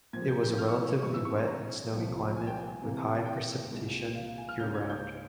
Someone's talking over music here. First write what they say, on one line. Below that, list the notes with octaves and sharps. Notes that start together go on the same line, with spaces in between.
It has a relatively wet and snowy climate with high precipitation year-round.
A#2 F3 C4 G#6
G6
G6
F6
C#6
E6
C#6
G2 E3 G#3 C4 C#6
E6
C#6
C6
A#5
C2 A#2 F3
G#5
G5
G#5
C3 E3 A#3
G5
C2 A#2 G#3
F5
F5
G#5
F6
C#2 C#3 G3 A#3 C#4 G6
G#6
G6